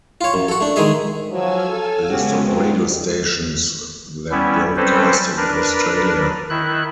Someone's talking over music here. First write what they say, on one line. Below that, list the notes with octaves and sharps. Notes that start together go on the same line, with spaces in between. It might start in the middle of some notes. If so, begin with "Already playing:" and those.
A list of radio stations that broadcast in Australia.
F4 C#5
F#2
F#4 A4
A3 D4
D#3 G#3 G#4 E5
F3 F#3 F5 G#5 E6
A4
C#3 G#3 B3 C#4 F#4 G4
B2 F3 G#3 C4 F4
G3 B3 C#4 E4
G3 C4 C#4 A4 B4 C5
D4 A#4 B4
D#3 E4 F#6